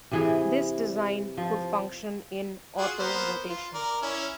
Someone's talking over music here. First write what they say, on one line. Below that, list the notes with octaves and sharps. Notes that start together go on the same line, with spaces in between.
This design could function in autorotation.
C3 E3 G#4
F3
F4 F#4 G#4
A#3 B3 C5
F4
A#4 D5
C#4 E4